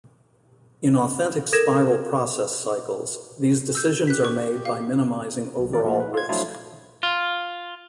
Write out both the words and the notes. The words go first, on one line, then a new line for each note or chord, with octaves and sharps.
In authentic spiral process cycles, these decisions are made by minimizing overall risk.
A4 A#4 G#6 A#6 E7
E6 G6
G4 F#6 B6
C#6
F5
B1
D#3 E3 D5
A#2 F3 A3 A#3
B4
F4 G#6
F3 F#3 A3 D4 E4 F4
F4